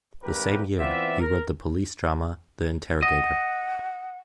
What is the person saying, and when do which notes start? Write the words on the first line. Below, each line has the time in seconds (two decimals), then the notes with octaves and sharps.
The same year, he wrote the police drama "The Interrogator".
0.23 G#1 D2 G2 G4 A#4 B4
0.79 E3 B3 C4 F4 D5 E5
1.20 A#4
3.03 D#5 F#5